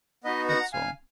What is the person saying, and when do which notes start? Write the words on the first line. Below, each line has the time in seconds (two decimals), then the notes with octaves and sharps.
That's all.'
0.24 B3 D#4 F#4 B4 D#5
0.48 F#5 A#5
0.73 F5 G#5